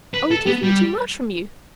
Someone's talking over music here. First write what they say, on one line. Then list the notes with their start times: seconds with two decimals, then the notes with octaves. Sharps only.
Are we taking too much from you?
0.14 B4
0.31 A4
0.46 B3
0.63 G3